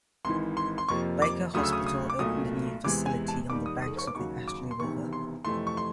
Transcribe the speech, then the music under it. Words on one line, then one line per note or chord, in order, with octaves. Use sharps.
Baker Hospital opened a new facility on the banks of the Ashley River.
G#1 G#2 E3 C6
C6
C6
F2 C3 F3 A#3 C#6
D6
D2 C#3 F#3 A3 D#6
E6
D#6
D#6
D6
B1 A#2 F#3 A3 D#6
E2 C3 E3 G#3 D6
G#5
A5
D#2 D#3 G3 D6
D#6
D#6
C#6
D6
D#2 C#3 F#3 C#6
D6
C6
E1 E2 C3 D#3 C#6
C6
F2 C3 E3 A3 C6
C#6
C6